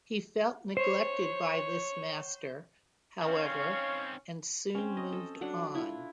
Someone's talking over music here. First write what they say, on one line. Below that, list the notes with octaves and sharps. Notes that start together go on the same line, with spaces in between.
He felt neglected by this master, however, and soon moved on.
C5 C#5
D#3 C4 C#4 C#5 F5
C4 C#4
D#5
A4
F#3 D4 F#5
E4 F4